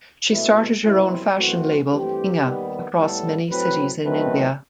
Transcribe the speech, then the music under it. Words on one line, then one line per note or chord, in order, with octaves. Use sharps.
She started her own fashion label "Inga" across many cities in India.
C2 B2 A3 E4
C2 B2 F#3 C4 E4
F#2 E3 A3 C4 F#4
G2 E3 A3 C4 G4
D#2 D#3 G3 B3
A2 G3 B3 A4
A2 F#3 C4 B4
E2 D#3 F#3 A3 C4 B4